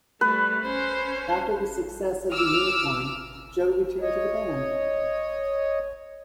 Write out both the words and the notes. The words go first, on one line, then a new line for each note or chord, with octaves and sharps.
After the success of "The Unicorn," Joe returned to the band.
G3 A3 B4
C#4 C5
D6 E6 F6
C#5 D#5